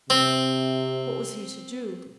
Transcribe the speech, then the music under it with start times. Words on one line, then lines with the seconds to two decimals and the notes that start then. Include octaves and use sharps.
What was he to do?
0.10 C3 C4